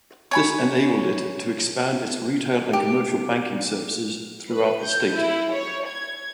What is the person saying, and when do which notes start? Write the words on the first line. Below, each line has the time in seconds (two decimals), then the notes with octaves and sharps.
This enabled it to expand its retail and commercial banking services throughout the state.
0.31 C#5 G#5 B5
2.73 G4
4.51 B4
4.83 G6
5.13 E4
5.53 C#5
5.89 G#6